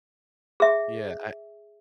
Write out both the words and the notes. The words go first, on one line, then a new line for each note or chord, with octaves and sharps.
Yeah, I
G#4 E5